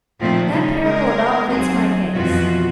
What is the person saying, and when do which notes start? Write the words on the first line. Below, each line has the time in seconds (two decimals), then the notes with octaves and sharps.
That parable about fits my case.
0.19 A#2 D#3 F3 A3 C4
0.48 C#3 G3 D#4
0.81 G#3 A#4
1.48 D#2 F#3 C4 G#4
2.13 F2 B2 E3 G#3 F4 F#4